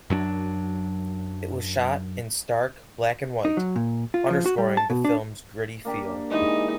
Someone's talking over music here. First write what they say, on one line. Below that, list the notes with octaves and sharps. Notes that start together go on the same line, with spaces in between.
It was shot in stark black-and-white, underscoring the film's gritty feel.
F#2 F#3 C#4 D4
D#4
F#3
A#2
F4
F3
F#4
G3
A5
B2
D4
A#3 D4 G4
E3 G#3 D#4